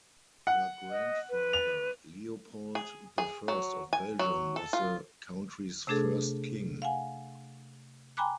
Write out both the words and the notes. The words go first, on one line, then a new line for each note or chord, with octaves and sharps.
Her grandfather Leopold the First of Belgium was the country's first king.
F#5
D#5
B4
F7
G#4
G#4
F#3
G#5
F#3
A4
F4
C3 A3 D4 G#4 A4
F5 F#5 G#5
G5 G#5 A#5 B5 D6 F#6